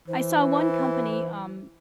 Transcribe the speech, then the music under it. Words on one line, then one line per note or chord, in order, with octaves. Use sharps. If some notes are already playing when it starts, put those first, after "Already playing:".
I saw one company, um,
E3 C5